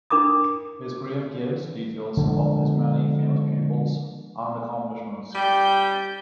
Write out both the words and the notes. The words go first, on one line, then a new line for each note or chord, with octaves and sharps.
His grave gives details of his many famous pupils and accomplishments.
D4 A#4 D6 D#6
D3 F3 G#3
G3 G5 G6